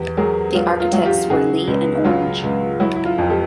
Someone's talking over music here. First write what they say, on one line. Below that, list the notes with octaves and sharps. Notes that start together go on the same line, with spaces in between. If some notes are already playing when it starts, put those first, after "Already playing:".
The architects were Leigh and Orange.
Already playing: E2 G4
F#3 G#4 A#4
F#3 F4
F4
F#3
F4 G4
C#3 F#4 G#4
C#2
F#3 F4
C#2
F#3 E4
E4
F4
F2
G4 A4